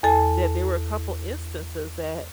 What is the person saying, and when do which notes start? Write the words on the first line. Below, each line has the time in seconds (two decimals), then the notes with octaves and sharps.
That there were a couple instances that
0.03 E2 A4 A5